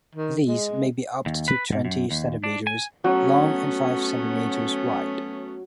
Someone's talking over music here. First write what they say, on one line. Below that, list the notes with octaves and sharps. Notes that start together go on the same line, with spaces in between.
These may be up to twenty centimetres long and five centimetres wide.
D#3
G#3
D#2
B4
G#2
F#2
D#2
D4
G#5
F#3 A3 B3 C#4